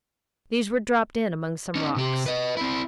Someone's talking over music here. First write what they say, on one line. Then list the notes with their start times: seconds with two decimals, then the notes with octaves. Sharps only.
These were dropped in among some rocks.
1.75 C#4 D#4
1.96 C3 G4
2.26 B4 D#5
2.57 C4 E4